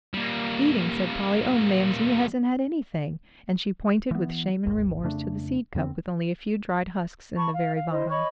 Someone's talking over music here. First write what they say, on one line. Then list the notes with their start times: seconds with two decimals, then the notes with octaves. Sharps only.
"Eating!" said Polly, "oh mamsie, he hasn't had anything." And she pointed with shame and remorse to the seed-cup with only a few dried husks in the very bottom.
0.14 G3 A#3
4.11 E3 B3
4.65 D1 G#1 D#2 G#2
5.03 F2 C#3 A3 D4
5.75 F2 D3 B3 C4
7.37 A5 B5 C#6
7.54 F5
7.74 F5
7.89 E4 C5 D#5
8.10 C#5 D#5 B5 C#6